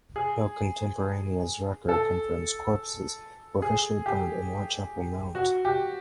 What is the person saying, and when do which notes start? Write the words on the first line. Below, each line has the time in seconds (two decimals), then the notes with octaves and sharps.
No contemporaneous record confirms corpses were officially buried in Whitechapel Mount.
0.16 G#4
1.89 A4
3.62 G#4
4.06 G4
5.35 F#4
5.65 G4